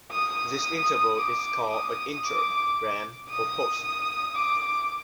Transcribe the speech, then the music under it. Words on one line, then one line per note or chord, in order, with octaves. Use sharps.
This interval is called an intro, ramp, or post.
D#6
D6
D#6
D6
D#6
D6